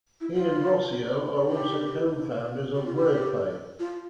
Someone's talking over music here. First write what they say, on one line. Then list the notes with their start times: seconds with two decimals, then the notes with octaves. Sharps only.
He and Rossio are also co-founders of Wordplay.
0.21 E4
0.34 F4
1.49 G4
2.75 G4
2.86 F4
2.96 G4
3.79 F4